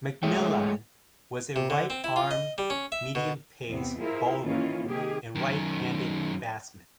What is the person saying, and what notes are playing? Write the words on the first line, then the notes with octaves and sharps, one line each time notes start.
McMillan was a right arm medium-pace bowler and right-handed batsman.
G#3 A3 G#4 C#5 E5 G5
C3
D3
C4
E4
F4
D#5
G3
C#4
E5
B2
E2 C3 B3 C4
E4 F4 G#4 A#4 C5
D#3 E3 A#3 C#4 F4
C3 D#3 G4 G#4
F#2 D#3